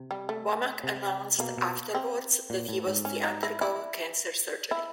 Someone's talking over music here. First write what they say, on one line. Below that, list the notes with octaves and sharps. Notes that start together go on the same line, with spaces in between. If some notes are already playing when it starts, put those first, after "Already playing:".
Womack announced afterwards that he was to undergo cancer surgery.
Already playing: C3
G3
A3
C3
B2 A#3
B2
C4
A#2
A2
G#2
C#4
D#4
E4
E4
E4